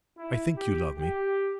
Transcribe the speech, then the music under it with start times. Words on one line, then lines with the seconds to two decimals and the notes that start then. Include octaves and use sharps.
I think you love me.
0.18 E4
0.57 G4
0.98 G4